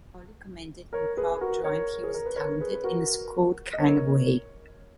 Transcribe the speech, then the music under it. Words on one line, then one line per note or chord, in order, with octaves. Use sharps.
McCauley commented when Crowell joined "he was talented in a schooled kind of way".
A#4 C#5
G#4 B4
F#4 A#4
A#4 C#5
G#4
A#4
B4
A#4 C#5
G#4 B4
B4
F#4 A#4
D#5
A#4 C#5